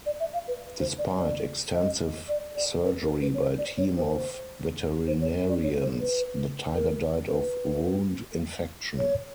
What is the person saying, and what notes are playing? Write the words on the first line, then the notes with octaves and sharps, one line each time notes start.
Despite extensive surgery by a team of veterinarians, the tiger died of wound infection.
D5
E5
F5
B4
C5
D5
D5
D#5
D5
D5
B4
A#4
B4
C#5
C5
D5
C#5
C5
C5
C#5
D5
C#5
C5
B4
A#4
B4
C#5